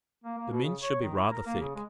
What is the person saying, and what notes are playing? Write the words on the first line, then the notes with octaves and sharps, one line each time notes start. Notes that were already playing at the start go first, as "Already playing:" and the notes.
The mince should be rather thick.
A#3
A#3
B2
C#3
C#5
D#3
E4
A#4
A#3
C#3
G#3